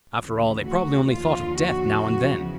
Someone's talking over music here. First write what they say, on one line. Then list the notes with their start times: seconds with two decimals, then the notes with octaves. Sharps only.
After all, they probably only thought of death now and then.
0.19 D2 C#3 E3 A3
0.65 F#4
1.12 D#2 D3 F3 F4
1.58 F#4
2.05 E2 C#3 F3